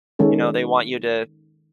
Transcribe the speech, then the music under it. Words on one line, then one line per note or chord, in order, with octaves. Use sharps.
you know, they want you to
D#3 G#3 C#4 A4